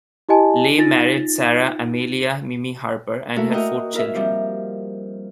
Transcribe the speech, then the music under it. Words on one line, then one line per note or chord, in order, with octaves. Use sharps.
Lay married Sarah Amelia "Mimi" Harper and had four children.
E4 G4 D#5 G#5 A5
D#4 F4 A6 A#6
A3 A#3 E4 F#4 A4 A#4
F#4 A#4 D#5 F#5 G5 A#5
E4 A#4 E5
F3 G3 C4